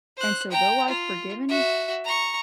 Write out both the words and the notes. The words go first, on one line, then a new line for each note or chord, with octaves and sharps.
and so though I've forgiven,
C5 F#6
G5 A#5
F4
F#4 E5
A#5 C#6